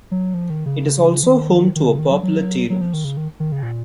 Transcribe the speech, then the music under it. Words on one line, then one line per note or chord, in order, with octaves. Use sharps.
It is also home to a popular Tea Rooms.
F#3
F3
D#3
C#3
F3
D#3
D#3
C#3
D#3
F#3
F#3
F#3
F3
D#3
C#3
D#3
D#3
C#3
A#2